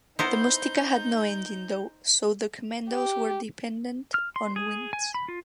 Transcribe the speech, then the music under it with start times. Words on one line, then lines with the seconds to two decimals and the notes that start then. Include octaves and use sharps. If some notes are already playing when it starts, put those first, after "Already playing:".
The "Mustika" had no engine though so the commandoes were dependent on winds.
0.19 B3 D#4 E4 C5 A#5 G6
2.90 G4
4.14 F6
4.36 C6
4.56 G#4
4.93 G#5
5.14 B5
5.28 F4